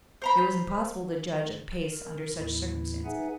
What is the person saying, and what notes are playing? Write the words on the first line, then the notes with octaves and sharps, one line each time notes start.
It was impossible to judge of pace under such circumstances.
C5 A#5 B5
A#4
D#2 A2 E3 E4
D#4 G#4 B4 E5 F#5 G#5